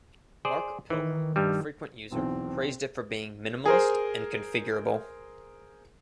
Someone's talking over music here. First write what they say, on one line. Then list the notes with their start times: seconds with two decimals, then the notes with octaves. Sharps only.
Mark Pilgrim, a frequent user, praised it for being "minimalist" and "configurable".
0.45 G#4 C5 D5
0.90 D#3 E3
1.36 G2 G3
2.12 B1 E2 C4
3.66 G#4 A#4 C5